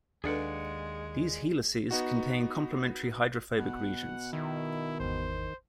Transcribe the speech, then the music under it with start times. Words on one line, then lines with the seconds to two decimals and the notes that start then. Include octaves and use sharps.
These helices contain complementary hydrophobic regions.
0.24 D#2 G#3 D4 G#4 A4 B4 D5 F#5
1.91 B3 D#4 F#4
3.59 B2 F#5
4.33 D#3 E4
5.00 G#1 E2 C5